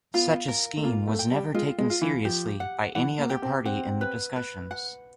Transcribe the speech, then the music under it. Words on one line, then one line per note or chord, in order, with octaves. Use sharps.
Such a scheme was never taken seriously by any other party in the discussions.
B3 F4
A#4
A3
A#3 F4
A3
G5
G3
G#3 F4
G#3
F4
E3
F3 G4
F#5
E3 F#5
A#3
G4
C4
C4 F#5
B4
B4
F#5